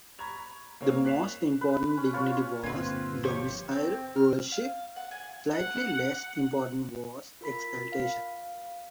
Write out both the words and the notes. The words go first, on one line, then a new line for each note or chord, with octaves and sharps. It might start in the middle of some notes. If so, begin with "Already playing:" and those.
The most important dignity was domicile rulership; slightly less important was exaltation.
A#5 B5 C#6 G#6 F7
A#3 C4 C#5 F5
F#6 B6 C7 E7 F7
B4
C#4
F4 C#5
G1 A#2 D3 C4 F4 B4 C6 G#6
F3 G4 C#5
C4
F6
F5
F#5
G#5
F#5
F4 A#4 B5 B6
F5